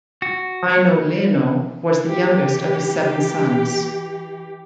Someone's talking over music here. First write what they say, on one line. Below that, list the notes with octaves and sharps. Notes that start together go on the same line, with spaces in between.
Eino Leino was the youngest of his seven sons.
F#4
E3 G4